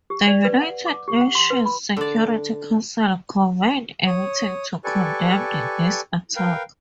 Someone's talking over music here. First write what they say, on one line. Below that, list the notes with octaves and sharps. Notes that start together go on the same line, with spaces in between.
The United Nations Security Council convened a meeting to condemn this attack.
G4
D5
B4
F#5
D6
G4
F#5
C6
B4
B5
D3 D5
C#5 D#6
G4 A4 B4 D5 G#5 C#6
A#4 B4 F5 G5